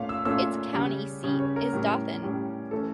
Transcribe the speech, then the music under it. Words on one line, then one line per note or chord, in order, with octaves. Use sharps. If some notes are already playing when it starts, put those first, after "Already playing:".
Its county seat is Dothan.
Already playing: A#2 A3 C#4 F5
E6
A#2 A3 C#4 E6
C#3 G3 C#4
C#3 G3 C#4
C#5
A#4
A2 G3 C#4
A2 G3 C#4
E3 A3 C#4 A4